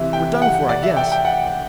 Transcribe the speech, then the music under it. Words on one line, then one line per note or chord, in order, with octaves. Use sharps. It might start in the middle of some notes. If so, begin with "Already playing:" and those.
"We're done for, I guess."
Already playing: C3 E3 E5
G5
F#5
D5
E5
G5
G5
F#5